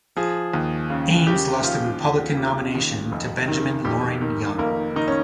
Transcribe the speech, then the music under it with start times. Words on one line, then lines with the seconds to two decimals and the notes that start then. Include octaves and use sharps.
Ames lost the Republican nomination to Benjamin Loring Young.
0.16 F3 G#4
0.54 D#2
0.90 C#3
1.27 C#3 G4
1.64 F3 F4
2.01 D#2
2.37 C#3 G4
2.75 D#2
3.12 F1
3.48 D#3
3.84 F1 G4
4.21 D#3
4.58 F1 A#3
4.96 D#3 D#4
5.08 C#4